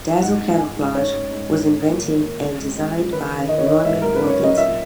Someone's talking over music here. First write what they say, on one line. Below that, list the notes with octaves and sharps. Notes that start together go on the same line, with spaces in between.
Dazzle camouflage was invented and designed by Norman Wilkinson.
G#2 F#5
G#2
G#2 G#5
G#2
C#4 C#5
G#2
G#2
G#2
D#4
A#3
D#3
A#3
C#3
G#3
G#3
G#3
D#3 B4
D#3
D#3 D#5
C#5
D#3 D#5
G#2 E5
F#3 A#4
B4
C#4
C#5
F#3 D#5
A#2 E5